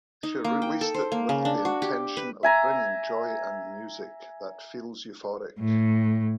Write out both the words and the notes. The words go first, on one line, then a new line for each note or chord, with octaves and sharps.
She released it with the intention of bringing "joy" and music that "feels euphoric".
D#4
A#3
G5
A4
C5
A#3
C#3
D4
F#4
G4
B4
E5 G#5 A#5
A2